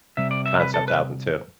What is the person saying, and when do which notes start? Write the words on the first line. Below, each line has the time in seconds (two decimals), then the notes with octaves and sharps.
concept album too.
0.17 C3 G3 E5
0.31 D5
0.46 E5
0.60 B4
0.74 A4
0.88 B4